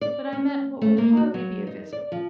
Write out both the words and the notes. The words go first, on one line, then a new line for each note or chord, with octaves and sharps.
But I meant what would hardly be a visit.
D5
C#4
A3
A#3
F#4
F#3
D#4
D5
F3